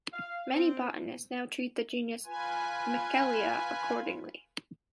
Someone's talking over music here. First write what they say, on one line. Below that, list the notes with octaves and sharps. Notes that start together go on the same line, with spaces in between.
Many botanists now treat the genus "Michelia" accordingly.
F5
C4
F4 B4 G#5